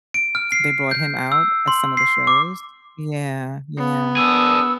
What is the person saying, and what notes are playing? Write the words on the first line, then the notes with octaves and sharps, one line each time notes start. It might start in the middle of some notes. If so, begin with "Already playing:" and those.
They brought him out at some of the shows yeah, yeah.
D7
F6
C7
G6
E6
C6
C7
D6
B3
D4 G#4 E6